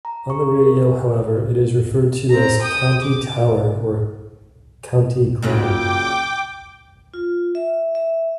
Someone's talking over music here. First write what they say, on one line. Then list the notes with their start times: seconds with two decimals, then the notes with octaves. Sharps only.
On the radio, however, it is referred to as "County Tower" or "County Ground".
0.05 A#5
0.30 C#6
0.63 A#4
2.30 C4 A#5
2.62 G5 D#6
3.02 D6
5.42 A#2 C#3 F#3 G5 D6
7.14 F4
7.55 E5
7.95 E5